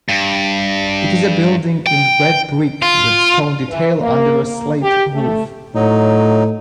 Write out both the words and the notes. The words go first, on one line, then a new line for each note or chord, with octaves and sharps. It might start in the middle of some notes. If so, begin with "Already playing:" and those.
It is a building in red brick with stone detail under a slate roof.
G2
G5
F4
E3
A#3
A#3
G4
A3
A2 F#3 D#4